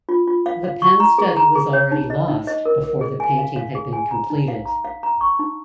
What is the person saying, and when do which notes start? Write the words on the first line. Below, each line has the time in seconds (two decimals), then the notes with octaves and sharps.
The pen study was already lost before the painting had been completed.
0.09 F4
0.27 F4
0.46 F5
0.64 F5
0.82 C#6
1.00 A#5
1.18 G#4
1.37 A#5
1.55 G#4
1.73 C#5
1.92 D#4
2.10 D#5
2.28 D#4
2.47 D#5
2.66 A#4
2.84 A#4
3.01 G#4
3.20 G#5
3.38 F5
3.56 F5
3.75 G#4
3.93 G#5
4.11 A#5
4.30 D#4
4.48 F5
4.66 A#5
4.84 F5
5.03 A#5
5.21 C#6
5.39 D#4